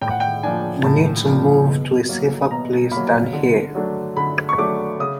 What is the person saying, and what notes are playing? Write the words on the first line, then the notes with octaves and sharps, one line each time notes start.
We need to move to a safer place than here.
A2 G5
F#5
G5
F3 A#3 D4 G#5
A2 A5
F3 A#3 D4
B2
F#3 A#3
B2 A#5
F#3 A#3 B5
D3
F#3 A3 D4
D3 B5
C#6
F#3 A3 D4 D6
C#3 D#6